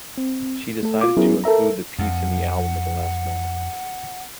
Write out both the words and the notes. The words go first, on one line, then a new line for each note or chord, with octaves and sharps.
She decided to include the piece in the album at the last moment.
C4
A3 A4
F4 D6
F#3 B3 C#4 E4 G#4 A#4
A4 A#4 E5 A#5
F2 F#5